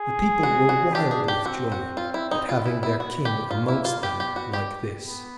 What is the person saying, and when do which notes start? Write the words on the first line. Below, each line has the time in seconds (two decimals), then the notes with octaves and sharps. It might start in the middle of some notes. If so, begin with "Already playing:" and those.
The people were wild with joy at having their King amongst them like this.
Already playing: G#4
0.43 F#4
0.69 F#4
0.94 D4 G4
1.11 G#4
1.28 G4
1.46 C4 F#4
1.72 F#4
1.97 F4
2.14 E4
2.31 D#4
2.48 B3 F4
2.66 E4
2.83 E4
3.00 B3 F#4
3.25 G4
3.51 A#3 F4
3.68 E4
3.85 F4
4.02 B3 G4
4.20 G4
4.36 F#4
4.53 G4
5.06 B3